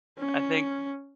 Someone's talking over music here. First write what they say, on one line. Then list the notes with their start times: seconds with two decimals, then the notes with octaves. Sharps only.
I think
0.19 C#4